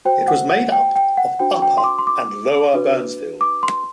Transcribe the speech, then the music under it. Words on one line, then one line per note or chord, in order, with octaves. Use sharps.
It was made up of Upper and Lower Byrnesville.
F#4 C5 G5
F#5
F#5
G5
G5
F#5
D4 F#4 C5 G5
G5
C6
D6
C6
D6
D4 F#4 B4
D6
C6